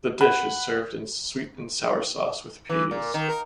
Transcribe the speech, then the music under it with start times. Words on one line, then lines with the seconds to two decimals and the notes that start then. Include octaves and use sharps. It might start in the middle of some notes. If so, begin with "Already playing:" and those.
The dish is served in sweet and sour sauce with peas.
0.21 F#5 B5
2.69 E3
2.91 A#2
3.14 D#3
3.28 A#4